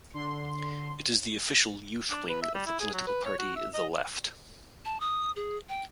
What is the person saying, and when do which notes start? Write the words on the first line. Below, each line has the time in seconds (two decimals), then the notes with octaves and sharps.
It is the official youth wing of the political party The Left.
0.14 D3 C6
2.10 D4
2.29 B4
2.42 E5
2.55 G3
2.67 E4
2.80 G#4
2.94 F#3
3.07 B4
3.26 C#5
3.39 F#4
3.56 E5
3.74 D#5
4.85 A5
5.00 D#6
5.36 G#4
5.69 G5